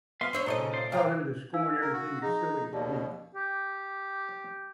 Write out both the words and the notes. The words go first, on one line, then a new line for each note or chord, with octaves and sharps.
I’ve taught him to scorn everything as silly and weak.
B3 E5 F5 C6 F6
D4 C5 C#5 C6 E6
A#2 D#4 A4 C5 C#5 D#5
C#3
C5 D5 C6
C3 F5 G5 A#5
D#4 F5 E6
A#4
F#4
F3 D#4 G#4 A#6
D#2 B2 G4 D5 A5
G4